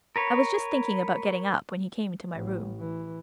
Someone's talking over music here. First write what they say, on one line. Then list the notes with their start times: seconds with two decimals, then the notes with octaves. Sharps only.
I was just thinking about getting up when he came into my room.
0.16 A#4 B4 C#5
2.33 A1
2.79 E3